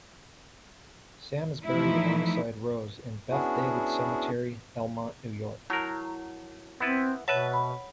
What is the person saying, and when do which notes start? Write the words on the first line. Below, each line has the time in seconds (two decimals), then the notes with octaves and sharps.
Sam is buried alongside Rose in Beth David Cemetery, Elmont, New York.
1.65 E3 F3 A3 D#4 E4
3.30 B3 C#4 D4 E4 F#4 G#4
5.70 F#3 E4 A#4
6.80 B3 C4 E4 B4 A6
7.28 B2 B4 C#5 E5 F#5 A5
7.54 B5